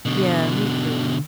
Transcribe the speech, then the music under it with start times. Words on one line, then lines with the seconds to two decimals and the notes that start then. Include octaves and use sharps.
Yeah, me, too.
0.05 B2 D3